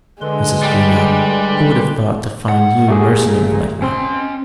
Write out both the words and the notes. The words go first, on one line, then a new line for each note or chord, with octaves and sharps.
Mrs. Greenow, who would have thought to find you mercenary like that?
D3 G#3 B4 C6
G3
F#5
A#2 A3 G4 G#4
C4 C#4 C6